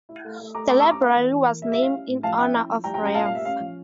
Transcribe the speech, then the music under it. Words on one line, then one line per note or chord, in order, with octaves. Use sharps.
The library was named in honor of Rev.
E4
A3
A3
A3 A#5 D6
C#4 A#5 D6
C#6 E6
C#4
A#5 D6
A#3 F5
E3
E3
A#3
G3 E5
E5
E4
F5
C#4
A2
F3 F5 A5
C#4 E5 G5
E4
F3
G3 G5 A#5
G5 A#5
C#4
G5 A#5
A#2 F5 A5
F5
G3
E5
C#4 F5
F3